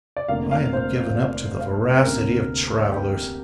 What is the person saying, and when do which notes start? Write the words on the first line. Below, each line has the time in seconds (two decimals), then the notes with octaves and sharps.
I am given up to the voracity of travellers.
0.17 D5
0.28 F1 F2 D3 A#3 F5
0.51 F5
0.73 C5
0.94 A#4
1.16 D5
1.60 F5
2.04 D2 C3 A#3 A#4
2.92 G4